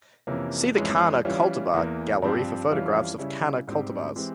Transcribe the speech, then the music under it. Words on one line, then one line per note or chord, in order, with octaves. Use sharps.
See the "Canna" cultivar gallery for photographs of "Canna" cultivars.
F2 C3 E3 A#3 C#4
F2 E3 G#3 C#4
E3 G3 C#4 F4
E2 E3 A#3
G2 F3 C4 G4
F2 E3 G3 C#4 F4
C#3 G3 C#4 E4
G#2 G3 C4 G4
E3 G#3 C4 G4